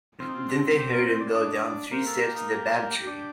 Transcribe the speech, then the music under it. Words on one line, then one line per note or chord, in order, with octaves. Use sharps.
Then they heard him go down three steps to the pantry.
C4 F4
D#4
F4
D4
G4
A#4
C5
D5
D4 D#5
A#3 C5
A4
G4
D#4
G4
D4